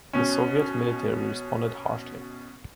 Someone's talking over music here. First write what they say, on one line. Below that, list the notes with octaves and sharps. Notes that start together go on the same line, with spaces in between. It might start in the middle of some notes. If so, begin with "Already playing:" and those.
The Soviet military responded harshly.
B2 C#4